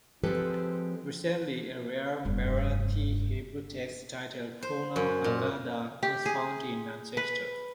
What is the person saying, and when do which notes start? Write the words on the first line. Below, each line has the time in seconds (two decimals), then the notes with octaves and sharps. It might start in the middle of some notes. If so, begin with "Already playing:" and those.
Recently, a rare Marathi-Hebrew text titled "Poona Haggadah", was found in Manchester.
0.24 F3 G#3 C4 G4 A4 B4
2.25 F1 G2
4.62 C5
4.96 F#2
5.24 A#2
6.03 G4
6.26 G#4
7.17 B4